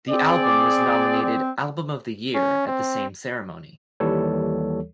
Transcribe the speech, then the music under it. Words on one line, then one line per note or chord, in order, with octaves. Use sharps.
The album was nominated "Album of the Year" at the same ceremony.
C4 G#4 D5
C4
C#4
C4
D#2 E3 G3 A4 C#5